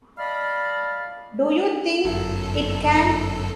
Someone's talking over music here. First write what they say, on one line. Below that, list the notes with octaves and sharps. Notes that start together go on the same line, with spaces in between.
Do you think it can?
D5 D#5 F5 A5 B5
G1 F#2 A4